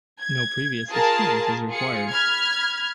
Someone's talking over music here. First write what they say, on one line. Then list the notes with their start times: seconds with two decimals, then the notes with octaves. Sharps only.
No previous experience is required.
0.20 G#6
0.89 F4 G#4 A#4 A5
1.69 F4 G#4 C#7
2.10 B5 F6 G#6